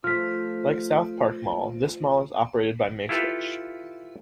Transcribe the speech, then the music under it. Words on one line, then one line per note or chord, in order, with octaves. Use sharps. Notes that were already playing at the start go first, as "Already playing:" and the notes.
Like SouthPark Mall, this mall is operated by Macerich.
F3 A3 F4 F6 B6
E4 F4 G4 A4 B4 F5